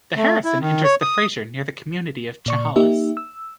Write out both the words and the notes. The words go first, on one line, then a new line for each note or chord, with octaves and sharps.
The Harrison enters the Fraser near the community of Chehalis.
A3
E4
D#3
C#5
D#6
A#2 D5 C#6
A#3 D#4 G4 E5
E6